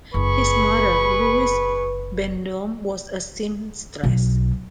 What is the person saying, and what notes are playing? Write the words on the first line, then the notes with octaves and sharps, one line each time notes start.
His mother, Louise Bendome, was a seamstress.
F#1 G#4 B4 B5 C#6
B1